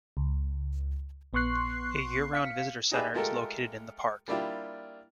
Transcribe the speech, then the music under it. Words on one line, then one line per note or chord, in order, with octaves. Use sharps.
A year-round visitor center is located in the park.
C#2
A#1 B3 C6 C#6 F#6 C7
F5 B6 C#7
D#4 G4 G#4 B4 D5 E5
G#3 A3 F4 G4 A4 A#4
G3 A#3 D4 E4 F4 G4